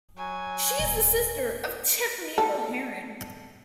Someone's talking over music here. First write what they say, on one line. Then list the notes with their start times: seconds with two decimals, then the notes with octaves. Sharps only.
She is the sister of Tiffany Mulheron.
0.17 F#3 G#5
0.79 D#1
2.38 A4